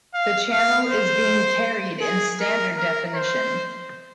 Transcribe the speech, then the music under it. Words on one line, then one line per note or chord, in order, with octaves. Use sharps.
The channel is being carried in standard definition.
F5
F5
C5
G#4
A#4
A#4
C5